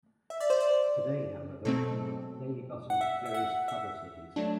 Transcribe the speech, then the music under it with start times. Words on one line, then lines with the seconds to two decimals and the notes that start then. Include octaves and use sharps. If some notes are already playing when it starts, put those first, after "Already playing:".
Today, however, there are daily buses to various other cities.
0.30 E5
0.40 D5
0.50 C5
0.61 D5
1.65 B2 F#3 A3 C4 A4
2.90 F#5
3.01 E5
3.26 E5
3.34 F#5
3.68 E5
4.36 F#3 A3 D4